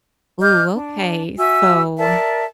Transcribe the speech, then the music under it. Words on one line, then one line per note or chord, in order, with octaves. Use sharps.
Ooh, okay. So
D#5 D6 F6 G6
D4
F#4 E5 G#5 E6
A#4 D5 E5 A5